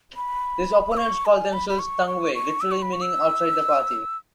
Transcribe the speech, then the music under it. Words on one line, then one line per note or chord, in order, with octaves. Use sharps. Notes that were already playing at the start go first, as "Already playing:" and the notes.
These opponents called themselves "Tangwai", literally meaning "outside the party".
B5
E6
C#6
G#5
B5
B5
C#6
C#6
C#6
E6
C#6
B5
C#6
E6